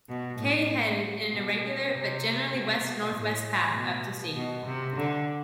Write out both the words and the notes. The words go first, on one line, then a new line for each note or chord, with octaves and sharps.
Kay headed in an irregular but generally west-northwest path out to sea.
B2
A2
B2
C3
B2
B2
A2
B2
B2
C3
D3